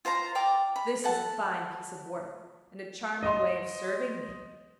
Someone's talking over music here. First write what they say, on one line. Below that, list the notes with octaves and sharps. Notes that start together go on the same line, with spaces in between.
This is a fine piece of work, and a charming way of serving me!
F4 C5 F5 A#5
D5 G5 A#5 D6
B5
A4 F#5 A5
D#5 C6